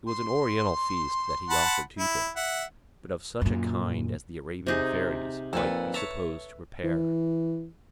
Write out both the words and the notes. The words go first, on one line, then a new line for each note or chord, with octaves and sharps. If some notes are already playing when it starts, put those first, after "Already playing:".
It was an Oriental feast that he offered to them, but of such a kind as the Arabian fairies might be supposed to prepare.
C6
F#5 A5 B5
E4
E5 F#5
F#2 A#2
C3 D#4 G#4
F2 A#2 A4 B4
C#5 E5 A5 A#5
E3